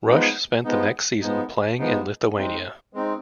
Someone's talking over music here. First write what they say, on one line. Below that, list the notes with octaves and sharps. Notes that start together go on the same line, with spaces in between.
Rush spent the next season playing in Lithuania.
F3 G#3 B3 D#4
F3 G#3 B3 D#4
F3 G#3 B3 D#4
F3 G#3 B3 D#4
G#3 C4 D#4
G#3 C4 D#4